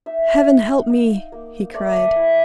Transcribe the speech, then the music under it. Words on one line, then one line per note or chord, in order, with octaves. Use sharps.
"Heaven help me!" he cried.
D#4 E5
D#4 F#5
F5
D#4
A#3
A3 D5
E4